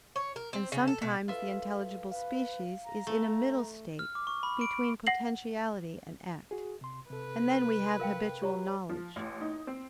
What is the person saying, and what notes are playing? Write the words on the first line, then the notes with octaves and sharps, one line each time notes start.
And sometimes the intelligible species is in a middle state, between potentiality and act: and then we have habitual knowledge.
C#5
A#4
C4
C#3
A4
B2
F4 A4 B4 E5 F5
B4 F5
A#5
A3
F6
D6
C#6
B5
D7
F#5 A#6 C7 F#7
F#4 G#4
C3 C6
C3 A4 B4
A#4 F5 G5
G4 C#5 A#5
F3
A1
D#4
C4